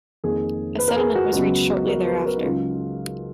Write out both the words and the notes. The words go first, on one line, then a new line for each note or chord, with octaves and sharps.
A settlement was reached shortly thereafter.
F2 D#3 A#3 G#4
B4
A#4
G#4
F#4
C#2 C#3 F#3 B3 F#4
A#4
B4
A#4
D#4
C#2 C#3 F#3 F4